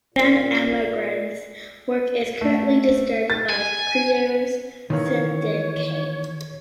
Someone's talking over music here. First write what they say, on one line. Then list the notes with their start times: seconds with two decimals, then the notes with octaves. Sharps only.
Van Amerongen's work is currently distributed by Creators Syndicate.
0.14 A#2
2.41 A3
3.30 A6
3.50 G#5
4.90 D#3 E3 A#3 C#5